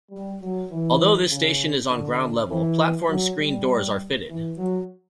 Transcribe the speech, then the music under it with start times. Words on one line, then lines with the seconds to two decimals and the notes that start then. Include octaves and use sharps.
Although this station is on ground level, platform screen doors are fitted.
0.10 G3
0.41 F#3
0.71 E3
1.30 C#3
1.90 D3
2.50 E3
3.09 F#3
3.38 G3
4.29 E3
4.57 F#3